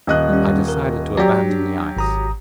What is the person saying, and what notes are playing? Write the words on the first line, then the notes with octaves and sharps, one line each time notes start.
I decided to abandon the ice.
D#1 D#5 F#6
G3 C#4
A#4
F#3 G4 C#5 D5 A#5
D4
G#1 A#5 D#6